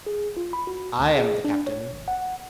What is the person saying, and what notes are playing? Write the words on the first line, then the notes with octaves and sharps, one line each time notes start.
"I am the captain."
G#4
F4
B5
F#4
D2
G#4
D4
C#5
G#1
F#5